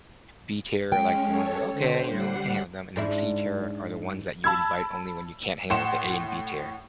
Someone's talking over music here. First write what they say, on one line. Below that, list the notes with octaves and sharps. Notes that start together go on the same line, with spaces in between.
B-tier are, like, the ones that, okay, you know, we can hang with them, and then the C-tier are the ones that you invite only when you can't hang out with the A and B-tier.
G#3 C#4 G5
A4 C#5
D3 C5
G3 F#5 C7
G#2 D4 E4
A5 B5 E6 G#6
A2 F#5 C6 E7